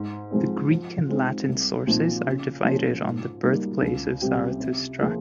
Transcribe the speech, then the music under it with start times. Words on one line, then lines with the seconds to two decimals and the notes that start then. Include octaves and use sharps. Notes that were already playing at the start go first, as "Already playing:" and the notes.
The Greek and Latin sources are divided on the birthplace of Zarathustra.
Already playing: G#2
0.31 F3 G#3 C4
0.71 F3
1.09 G#3 C4 D#4
1.48 C2
1.87 A#2 F3 C4 D#4
2.26 C#3
2.65 F3 A#3 C#4 F4
3.04 G#2
3.44 G3 A#3 D#4
3.82 C#2
4.22 C3 G3 C4 G4
4.60 C3
5.00 F3 A#3 F4 G#4